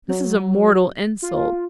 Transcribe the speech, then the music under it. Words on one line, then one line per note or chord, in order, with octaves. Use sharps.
"This is a mortal insult!"
F#3
F4